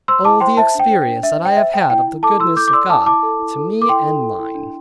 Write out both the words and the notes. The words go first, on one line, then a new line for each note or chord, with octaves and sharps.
Oh the experience that I have had of the goodness of God, to me and mine!
C5 C6 E6
E4 A5 D6
C5 G5 C6
C5 E5 A5
D4 G5
C5
G5
D4
D4 E5
C5 G5
C5 E5
C5 G5
E4 G5
E4
A4 A5 D6
E4 C6 E6
A4 D6 G6
D6
D5 C6 E6
E4 A5 D6
E4 A5 D6
A4
E4
A4
A4
D6
E4 G5 C6
A4
A4
E4
D4